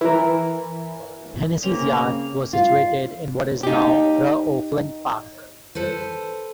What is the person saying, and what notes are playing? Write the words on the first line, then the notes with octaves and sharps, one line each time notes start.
Hennessy's yard was situated in what is now Fr O'Flynn Park.
E3 E4 A#4
C#3 A#3 C4 C#4 F7
F4
D#4 G4
A4 B4 C5